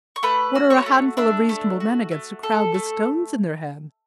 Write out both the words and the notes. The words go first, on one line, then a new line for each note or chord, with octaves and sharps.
What are a handful of reasonable men against a crowd with stones in their hands?
C#6
A3 B4 B5
F#4
C#5 C#6
A3
D4 E5 E6
A3
F#4
A3
A4
A3